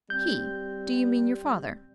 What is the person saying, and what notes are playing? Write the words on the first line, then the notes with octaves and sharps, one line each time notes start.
"He--do you mean your father?"
G3 C4 G6